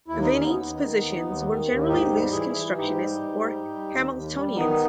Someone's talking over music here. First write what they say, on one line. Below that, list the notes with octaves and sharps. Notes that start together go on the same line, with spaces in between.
Vining's positions were generally loose-constructionist, or Hamiltonian.
D#2 E4
D#4
D#2 C#4
B3 D#4
D#2
D#3
D#2
D#2
D#3
D#2
G#2 D#4 G4
G3
E3 E4 G#4
E3
G#2 D#4 G4
G3
G#2
G3
G3
D#2
D#2
G3
D#3 B3 D#4